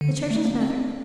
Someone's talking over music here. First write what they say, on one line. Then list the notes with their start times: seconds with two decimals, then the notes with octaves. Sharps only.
The church is better.
0.01 D3
0.31 A3
0.45 A#3
0.61 C4